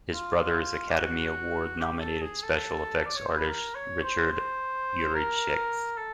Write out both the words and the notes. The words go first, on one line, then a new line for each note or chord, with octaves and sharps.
His brother is Academy Award-nominated special effects artist Richard Yuricich.
F4
G4
F#4
G4
A4
G#4
A4
D5
C#5
C5
B4
A#4
C#5
C5
C5
A#4
A4